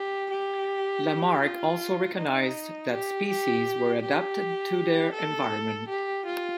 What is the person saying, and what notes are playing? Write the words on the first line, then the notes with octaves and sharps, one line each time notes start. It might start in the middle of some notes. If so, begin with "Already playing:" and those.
Lamarck also recognized that species were adapted to their environment.
Already playing: G4
G4
F4
D#4
G4
G4
G4
A4
G4
F4